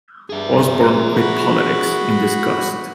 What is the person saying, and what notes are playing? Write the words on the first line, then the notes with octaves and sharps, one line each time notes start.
Osborne quit politics in disgust.
G2 G#4 E5
F#4 B5